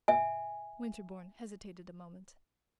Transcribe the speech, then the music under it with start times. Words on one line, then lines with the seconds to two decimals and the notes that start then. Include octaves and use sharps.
Winterbourne hesitated a moment.
0.08 E5 G#5